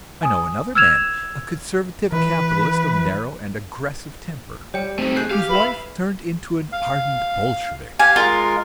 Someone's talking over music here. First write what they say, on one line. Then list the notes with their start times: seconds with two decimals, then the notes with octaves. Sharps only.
I know another man, a conservative capitalist of narrow and aggressive temper, whose wife turned into an ardent Bolshevik.
0.23 G#5 D#6
0.75 E6 F6 G#6 E7 F7
2.12 E3 B4
4.74 G3 C#5 G5
4.99 A3 C4 D#4 G4
5.16 G#4 F#6 G6 C7
5.31 G4 F5
5.49 B4 E5 B5
6.72 F5
7.99 G4 F5 G#5
8.16 G#3 F4 A#4